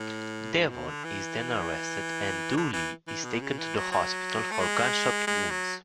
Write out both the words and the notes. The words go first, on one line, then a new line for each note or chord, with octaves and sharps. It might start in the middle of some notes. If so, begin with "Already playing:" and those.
Devon is then arrested and Dooley is taken to the hospital for gunshot wounds.
Already playing: A2
G#2
B2
D3
E3
D3
E3
E3
B2
C#3
E3
F#3
F#3
A3
G#3
G#3
F#3